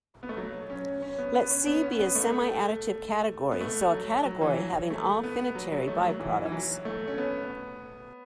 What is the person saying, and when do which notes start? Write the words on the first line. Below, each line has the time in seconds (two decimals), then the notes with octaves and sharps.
Let C be a semiadditive category, so a category having all finitary biproducts.
0.23 B3
0.29 A3
0.37 F#3
0.70 C#4
1.02 C#4
1.18 B3
1.34 B3
1.50 C#4
1.67 B3
1.83 C#4
1.99 B3
2.15 A3
3.51 B3
3.61 A3
3.93 F#3
4.25 F#3
4.41 E3
4.58 F#3
4.90 A3
5.23 B3
5.55 F#3
5.72 F#3
5.88 A3
5.99 A3
6.04 F#3
6.20 E3
6.45 E3
6.52 F#3
6.85 A3
7.08 C#4
7.18 B3